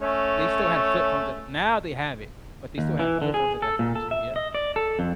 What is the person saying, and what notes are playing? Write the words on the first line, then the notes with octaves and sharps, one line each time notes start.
they still had flip phones at the now, they have it, but they still had flip phones at that time, so yeah.
A3 C#4 C#5
D#2
E3
D3
G#4
A4
A#2
A4
E5
D#5
D5
A4
F2